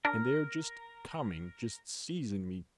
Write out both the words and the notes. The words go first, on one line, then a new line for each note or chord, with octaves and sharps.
And they are just coming, just seizing me.
D4 A#4